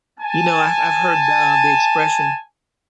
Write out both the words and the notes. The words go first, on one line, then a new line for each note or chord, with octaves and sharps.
You know, I've I've heard the, um the expression
G#5 A5